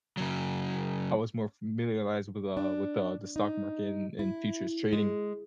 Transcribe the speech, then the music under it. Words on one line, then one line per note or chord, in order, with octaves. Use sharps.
I was more familiarized with the with the the stock market and and futures trading.
C#3 F#3
D4
D#4
E4
G#3